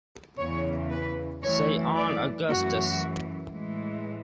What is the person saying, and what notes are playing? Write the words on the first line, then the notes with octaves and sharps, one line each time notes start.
Say on, Augustus.
E2 C#3 E3 C#5
B4
F#2 E3 A3 C#5
D5
F#2 E3 A3 F#4
A2 E3 G#3